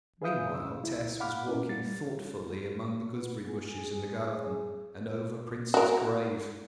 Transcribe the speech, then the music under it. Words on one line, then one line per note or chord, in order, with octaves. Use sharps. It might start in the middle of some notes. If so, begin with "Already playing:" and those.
Meanwhile Tess was walking thoughtfully among the gooseberry-bushes in the garden, and over Prince's grave.
G#4 B4 E5 F5 D#6 G6
C#3 E6
C2 E4
F5 F#5 B5 D6 F6
C#4 E4 A#4 B4
G3 A6
B3
G#4
F#4 A#4